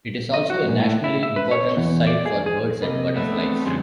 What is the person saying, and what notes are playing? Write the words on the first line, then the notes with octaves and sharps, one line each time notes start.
It is also a nationally important site for birds and butterflies.
D#5
F#4
A#2
A2
E4
E5
B4
C#5
E2
D5
G#4
G#4
C3 A#3 B4 D#5
A3 B3
C4 D4
F2 C#3 E3 G3 G#3 D4